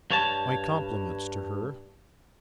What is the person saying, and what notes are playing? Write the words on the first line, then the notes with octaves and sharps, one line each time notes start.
'My compliments to her.
G2 C#5 A5